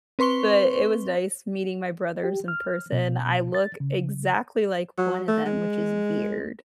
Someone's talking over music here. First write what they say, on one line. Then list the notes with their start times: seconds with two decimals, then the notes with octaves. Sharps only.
but it was nice meeting my brothers in person. I look exactly like one of them, which is weird.
0.19 C4 B4 C6 C#6 G7
2.24 G4
2.48 F6
2.92 B2
3.55 A6
3.80 C#3
4.98 F#3
5.28 A3
5.46 G#3